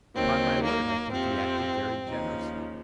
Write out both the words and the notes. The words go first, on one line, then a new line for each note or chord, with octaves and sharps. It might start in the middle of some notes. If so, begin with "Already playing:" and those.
"Upon my word, I think he acted very generously."
D#2 D#3 F#3 C4
A#3
F2 C3 F3 C4
D#2 C#3 F3 D#4